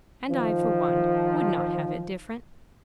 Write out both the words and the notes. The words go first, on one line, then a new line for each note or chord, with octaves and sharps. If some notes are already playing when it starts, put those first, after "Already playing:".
And I, for one, would not have it different.
D#3 F3